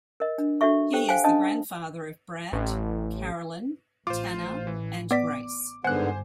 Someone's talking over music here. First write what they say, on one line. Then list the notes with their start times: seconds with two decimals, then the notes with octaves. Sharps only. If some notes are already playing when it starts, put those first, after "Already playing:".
He is the grandfather of Brad, Caroline, Tanner, and Grace.
0.20 A#4 D#5
0.38 D4
0.61 D4 F#4 A4 E5 C#6
0.93 G4 A4 C5 G5
1.09 C5 F5 G5 G#5
1.24 C#4 D4 D#5 A5 D#6
2.53 A1
4.07 A1 F4 C5 D6
4.67 E3
5.11 B3 D5 D6 B6
5.84 G1 G#2 D3 B3 C5 F#5 G#5 F#6